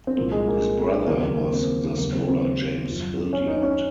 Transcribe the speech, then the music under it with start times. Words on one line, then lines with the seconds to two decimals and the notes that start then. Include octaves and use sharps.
His brother was the scholar James Hildyard.
0.07 C4
0.17 C2 A#2 F3 A#3
0.32 G#3
0.47 A#3
1.07 D#2 C#3 F#3 A#3
1.22 A#3
1.37 A#3
1.52 C4
1.97 D#2 C#3 F#3 A#3
2.13 C4
2.27 C4
2.87 F#2 F3
3.33 C#4
3.47 D#4
3.63 C#4